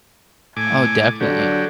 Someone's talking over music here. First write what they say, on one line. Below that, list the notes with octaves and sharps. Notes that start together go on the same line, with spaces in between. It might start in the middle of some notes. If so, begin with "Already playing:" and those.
Oh, definitely.
A2 G#5 D6
D3 F#3 G4